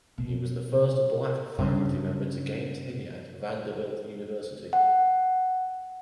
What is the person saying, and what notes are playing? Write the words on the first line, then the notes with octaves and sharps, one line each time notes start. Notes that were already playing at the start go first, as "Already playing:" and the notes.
He was the first Black faculty member to gain tenure at Vanderbilt University.
B2
G2 C#3
F#5